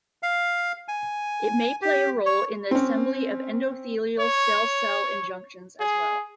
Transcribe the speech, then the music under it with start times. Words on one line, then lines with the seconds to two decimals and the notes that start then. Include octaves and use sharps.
It may play a role in the assembly of endothelial cell-cell junctions, as well.
0.23 F5
0.88 G#5
1.82 G4
2.26 C#5
2.71 C4 C#4
4.20 C#5
5.80 G#4